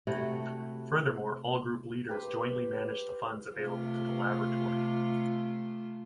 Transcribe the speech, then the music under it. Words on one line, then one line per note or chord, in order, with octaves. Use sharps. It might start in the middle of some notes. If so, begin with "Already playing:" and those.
Furthermore, all group leaders jointly manage the funds available to the laboratory.
C3 A3 E4 F#4
G4 B4 C5
C3 A3 F4